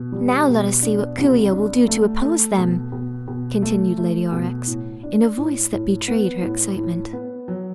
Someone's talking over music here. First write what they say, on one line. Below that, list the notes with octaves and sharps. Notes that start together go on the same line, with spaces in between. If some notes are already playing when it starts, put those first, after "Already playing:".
"Now let us see what Coo-ee-oh will do to oppose them," continued Lady Aurex, in a voice that betrayed her excitement.
Already playing: B2
G3
B2
D4
C2
D4
A3
A3
B2
B2
B2
A3
A3
B2
A2
D4
A2
A2
B3
A2
A2
B3
F#3